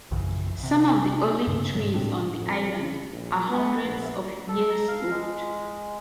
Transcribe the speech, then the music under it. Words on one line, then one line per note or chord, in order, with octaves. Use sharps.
Some of the olive trees on the island are hundreds of years old.
A#1 F#2 C#3 E3
C3
G2 C#3
G#2 C#3 F#3 G#3
A2 C4 D4
F2
C#3
A#1
B3
A#1
A4
A#5
F5
G#3